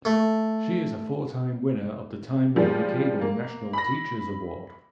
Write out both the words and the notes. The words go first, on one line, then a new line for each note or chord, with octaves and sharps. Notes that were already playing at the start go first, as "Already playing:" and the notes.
She is a four-time winner of the Time Warner Cable National Teachers Award.
A3
F3 G3 G#3
A#3
B5 A#6